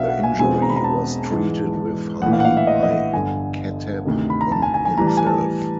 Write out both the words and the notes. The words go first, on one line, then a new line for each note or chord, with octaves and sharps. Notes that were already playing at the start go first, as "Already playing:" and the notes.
The injury was treated with honey by Khattab on himself.
Already playing: B1 B2 F#3 B3 D4 E5 F5
F#5
G#5
E1 E2 B2 G#3 C4 G#5
A#5
B5
A#5
A5
G#2 E3 G#3
A#1 A2 E3 F#5
F5
F#5
F5
E5
D#5
D#5
E5
G1 G2 D3 G#5
D2 C3 D#3
B5
A#5
A5
G#5
G#5
G#5
A2 E3 G3 A#5
A5
G#5
A5